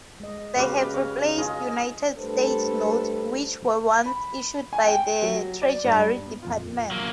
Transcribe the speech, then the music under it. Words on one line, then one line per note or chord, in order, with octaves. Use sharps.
They have replaced United States Notes, which were once issued by the Treasury Department.
G#3 D#5
C#3 F#4 G4 B4 F5 D6
C#5
D#4 F4 G#4 D#5
G3 A3 D4 A4 B4 C5
B5
G#5
G5
F#3
D5
G2
B3
F2 A#2 F4
F#3 A#3